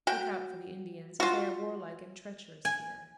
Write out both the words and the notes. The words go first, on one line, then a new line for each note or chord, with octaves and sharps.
Look out for the Indians, as they are warlike and treacherous here.
F#4 G5
F4 F#4
G#5